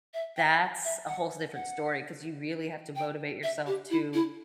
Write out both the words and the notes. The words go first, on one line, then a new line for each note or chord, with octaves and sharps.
That's a whole different story 'cause you really have to motivate yourself to
E5
G5
E5
F#5
F#5
G5
E5
G4
E4
E4